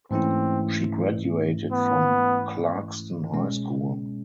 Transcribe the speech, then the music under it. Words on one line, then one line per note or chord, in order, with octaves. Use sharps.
She graduated from Clarkston High School.
G#2 E3 A3 C4 C#4 E4
B3
B2 G#3 C#4